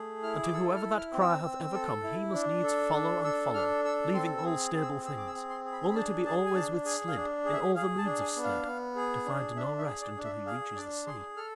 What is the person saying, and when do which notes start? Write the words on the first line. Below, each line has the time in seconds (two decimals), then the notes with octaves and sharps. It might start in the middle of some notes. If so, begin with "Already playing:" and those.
And to whoever that cry hath ever come he must needs follow and follow, leaving all stable things; only to be always with Slid in all the moods of Slid, to find no rest until he reaches the sea.
Already playing: A3 G#4
0.23 E4 F6
0.43 D6
0.53 A4 E6
0.76 F6
0.83 E4
0.98 F6
1.13 C4
1.21 E6
1.44 C4
1.74 A4
2.03 E4
2.34 D4
2.64 A4
2.94 D4
3.24 A4 E6
3.54 D4 F6
3.84 A4 E6
4.14 C4 C6
4.37 E6
4.45 G#4
4.74 C4
4.82 E6
5.05 G#4 E6
5.17 D6
5.27 E6
5.35 C4
5.50 C6
5.65 G#4
5.72 B5
5.90 B5
5.94 D4 A5
6.25 G#4 A5
6.46 G#5
6.55 D4 A5
6.85 G#4 G#5
7.08 F5
7.15 D4
7.45 G#4
7.52 E5
7.75 G#4 F5
7.98 A5
8.05 D4
8.20 G#5
8.36 B3
8.44 F5
8.66 B3
8.96 G#4
9.26 D4
9.56 D4 E5
9.78 E5
9.86 G#4
10.01 D5
10.17 D4
10.24 E5
10.46 G#4 F5
10.76 D4 D5
11.07 G#4 C6
11.37 A4 F6